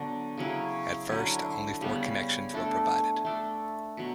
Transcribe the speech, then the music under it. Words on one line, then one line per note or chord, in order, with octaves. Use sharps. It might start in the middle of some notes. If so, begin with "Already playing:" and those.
At first, only four connections were provided.
Already playing: D3 F#3 B3 F#4
C#3 F#3 C#4 E4
D3 F#3 C#4 E4
C#3 G3 B3
A3 D4 A4
A3 D4 A4
B2 F#3